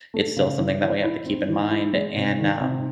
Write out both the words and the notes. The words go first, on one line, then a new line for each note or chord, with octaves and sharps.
it's still something that we have to keep in mind, and, um,
A3
C#3
E3
E3
E4
C4
E3
E4
G#3
C3
D#3
C3